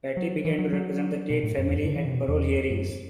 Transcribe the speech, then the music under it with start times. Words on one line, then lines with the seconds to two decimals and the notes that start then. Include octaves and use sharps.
Patti began to represent the Tate family at parole hearings.
0.17 F#3
0.45 E3
0.59 F#3
0.73 F#3
1.30 B2
1.43 A2
1.58 F#2
1.67 E2
1.77 G2
1.86 D3
1.96 E3
2.05 C3
2.14 B2
2.28 E2
2.70 F#2